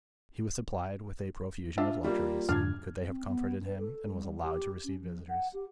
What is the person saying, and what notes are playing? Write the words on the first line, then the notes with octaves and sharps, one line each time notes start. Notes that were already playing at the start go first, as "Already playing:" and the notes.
He was supplied with a profusion of luxuries, could they have comforted him; and was allowed to receive visitors.
D4 F4 E5
G3 A#3 F4
F2 G#2 D3 D4 F6 G#6
C4
B3
B4
A4
G3
G4
C#4
F3
F#5
G4